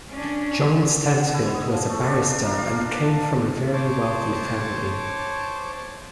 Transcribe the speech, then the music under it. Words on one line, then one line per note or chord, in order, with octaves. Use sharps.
John Stansfield was a barrister and came from a very wealthy family.
C#4 D4
F#5
E4
D#5
F3
A3
D4
D4
A#4
F5
A5
C5 C#5 A5 D6